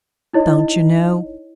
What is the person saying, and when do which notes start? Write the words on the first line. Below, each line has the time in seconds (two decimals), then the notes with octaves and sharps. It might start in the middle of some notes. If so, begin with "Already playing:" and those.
Don't you know?'
0.33 D#4 E4 C#5 D#5